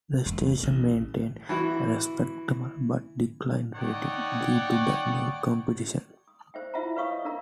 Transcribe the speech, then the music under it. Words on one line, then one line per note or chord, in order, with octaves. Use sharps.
The station maintained respectable but declining ratings, due to the new competition.
E1
A1
E3 E4 F#4
D#4 C#5 D5 F#5 G5
D#6
C5 E5 G5
E4 F4 E5 F#5 A#5
B4 C#5 F5 C#6 D#6
D#5
D4 A#4 E5 A#5